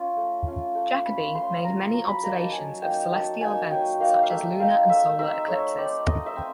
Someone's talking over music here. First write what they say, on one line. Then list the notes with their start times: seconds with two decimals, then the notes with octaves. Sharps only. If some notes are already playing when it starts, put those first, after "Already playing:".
Jacoby made many observations of celestial events such as lunar and solar eclipses.
Already playing: C#4 F4
0.17 A3
0.46 C#4 F4
0.75 A3
1.05 C#4 F4 B5
1.35 A3 C6
1.64 C#4 F4 A#5
1.93 F#3 A#5
2.08 B5
2.23 A#3 D#4 A#5
2.37 A5
2.52 F#3 G#5
2.82 A#3 D#4 G5
3.11 F#3 A5
3.41 A#3 D#4 G#5
3.62 G#5
3.71 F#3 G5
4.00 A#3 D#4 F5
4.23 F5
4.30 A3 E5
4.60 C4 D#4 F5
4.89 A3 E5
5.18 C4 D#4 E5
5.48 A3 C#5
5.78 C4 D#4 D5
6.07 A3 D#5
6.26 E5
6.36 C4